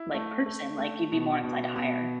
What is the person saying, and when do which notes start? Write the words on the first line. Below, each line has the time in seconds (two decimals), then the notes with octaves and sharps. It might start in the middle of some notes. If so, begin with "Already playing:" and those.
like, person, like, you'd be more inclined to hire.
Already playing: E4
0.14 A3
0.46 A3
0.78 A3
1.12 B2
1.44 B2
1.76 B2